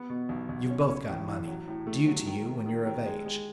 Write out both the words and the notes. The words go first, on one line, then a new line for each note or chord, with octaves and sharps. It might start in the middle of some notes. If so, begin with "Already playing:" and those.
You've both got money--due to you when you're of age.
Already playing: B3
B2
B1
B1
C#4
C#4
A1
A2
F#3
A2
A3
F#3
D#3
D#3
D#3
D#3
G#3
G#3